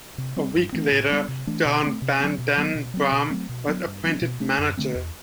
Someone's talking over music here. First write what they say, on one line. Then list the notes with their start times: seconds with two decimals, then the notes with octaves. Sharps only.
A week later, John van den Brom was appointed manager.
0.18 C3
0.36 G3 C4
0.55 G2
0.72 E3 A3 C4
0.92 A2
1.10 G3 B3 D4
1.28 C3
1.47 E3 A3 D4
1.65 B2
1.83 A3 C4
2.02 C3
2.20 F#3 C4
2.38 B2
2.57 F#3 B3
2.75 B2
2.94 F#3 C4
3.12 B2
3.30 F#3 A3 C4
3.49 B2
3.67 F#3 B3 D4
3.86 G2
4.04 F#3 B3 D4
4.22 B2
4.40 A3 D4
4.59 F#2
4.77 D3 A3 C4
4.95 E2